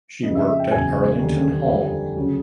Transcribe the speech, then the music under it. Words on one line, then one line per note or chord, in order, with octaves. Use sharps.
She worked at Arlington Hall.
F2 C#3 F3 D#5
E5
E5
G5
F#1 E2 C#3 F#3 G#5
D#2 D3 G3
F2 D3 G3
D2 C#3 F#3